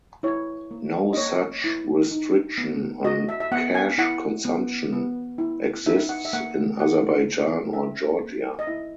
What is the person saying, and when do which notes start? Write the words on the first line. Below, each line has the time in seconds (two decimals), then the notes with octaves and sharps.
No such restriction on khash consumption exists in Azerbaijan or Georgia.
0.23 E4 C#5
0.71 A#3
1.13 D#5
1.17 A#3 C#5
1.64 E4
2.11 D#4
2.58 B3
3.05 F#4 D#5
3.29 E5
3.40 E5
3.52 B3 F#5
3.75 G#5
3.98 E4 F#5
4.45 B3
4.92 B3
5.38 E4
5.86 D#4 E5
6.09 F#5
6.25 E5
6.33 A#3 F#5
6.79 F#4 F#5
7.26 A#3
7.73 C#4 E5
8.20 A#3
8.59 D#5
8.67 E4 E5